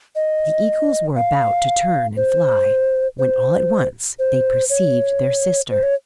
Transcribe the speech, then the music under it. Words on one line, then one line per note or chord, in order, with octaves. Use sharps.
The eagles were about to turn and fly, when all at once they perceived their sister.
D#5
F5
C5
C5
C5
C#5
C5
C#5